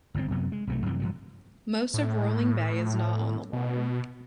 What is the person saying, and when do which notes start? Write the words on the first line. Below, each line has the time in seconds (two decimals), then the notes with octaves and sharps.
Most of Rolling Bay is not on the water.
0.14 G1 G#2 B2 C4
0.31 F#2 C3 F#3 B3
0.52 G#3
0.67 B1 C3 A3
0.86 F#2 C3 E3 F3
1.00 G2 F3 F#3
1.94 A2
3.53 B2